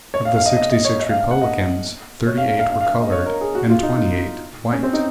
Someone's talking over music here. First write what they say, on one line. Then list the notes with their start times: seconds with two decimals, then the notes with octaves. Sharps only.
Of the sixty-six Republicans thirty-eight were colored and twenty-eight, white.
0.14 C#5
0.25 F5
0.36 F5
0.46 D#5
0.57 D#5
0.71 D#5
0.85 C#5
1.00 D#5
1.10 F5
1.20 F5
1.31 F#5
1.42 D#5
2.27 C#5
2.37 F5
2.49 F5
2.59 F5
2.70 F5
2.81 F5
2.91 F5
3.02 D#5
3.12 C#5
3.26 A#4
3.41 G#4
3.55 F#4
3.70 F4
3.83 D#4
3.97 D#4
4.73 C#4
4.83 C4
4.93 D#4